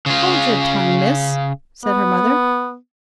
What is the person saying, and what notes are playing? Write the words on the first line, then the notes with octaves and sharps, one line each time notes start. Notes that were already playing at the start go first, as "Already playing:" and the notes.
"Hold your tongue, miss!" said her mother.
C#3 F4
B3